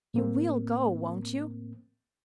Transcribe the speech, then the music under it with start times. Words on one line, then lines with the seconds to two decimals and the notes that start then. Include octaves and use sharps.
'You WILL go, won't you?'
0.14 A2 A#3 C4